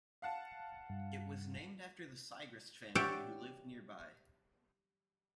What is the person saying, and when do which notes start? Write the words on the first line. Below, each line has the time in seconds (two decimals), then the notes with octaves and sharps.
It was named after the Siegrist family who lived nearby.
0.22 F5 F#5 A5
0.90 G2
2.95 G4 C#5 D5 E5 F#5 G5